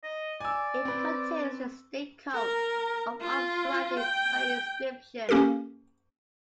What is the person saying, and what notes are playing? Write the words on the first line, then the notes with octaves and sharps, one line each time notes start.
It contains the state coat of arms surrounded by an inscription.
D#5
D5 G#5 E6
C4 B4
A#4
F4
G5
A#3 C#4 G4 A4 A#4